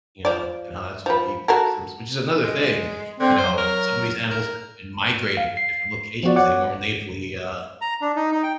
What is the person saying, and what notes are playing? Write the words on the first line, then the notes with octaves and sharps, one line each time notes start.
You know, and how that's affecting the ecosystems, which is another thing, you know, some of these animals have been migrating to different locations they weren't natively, uh,
F3 D5
F3 B4
F#4 A4 A#4
G#3
D3 C4
F#3 C5
A#4
A#4
F5
C7
F3 B3 F#4 D5
C#5 F#5 D6
A#5
D4
D#4
D#4
G5